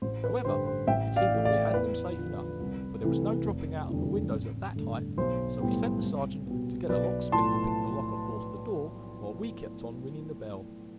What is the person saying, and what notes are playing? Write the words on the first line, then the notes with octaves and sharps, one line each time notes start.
However, it seemed that we had them safe enough, for there was no dropping out of the windows at that height; so we sent the sergeant to get a locksmith to pick the lock or force the door, while we kept on ringing the bell.
A1 C5
B4
G2 D3 G3 C5
C5
A1 E5 G5
D5 F5
A2 E3 A3
D5 F5
E2 B4
D3 F3
C2
C3 E3 A3
F1
E2 D3 G3
A1
G2 D3 A3
B1 C5
A2 G3 B3
C2
B2 G3 B3
B1 B4 D5
A2 F3 A5 C6